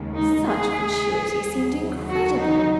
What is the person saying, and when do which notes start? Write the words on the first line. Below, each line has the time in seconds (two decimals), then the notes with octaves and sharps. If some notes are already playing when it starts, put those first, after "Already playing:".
Such fatuity seemed incredible.
Already playing: D#2 C#3 G#3
0.16 D#4
0.47 G#4
1.44 D#2 C#3 F#3
2.08 F#4
2.39 D#4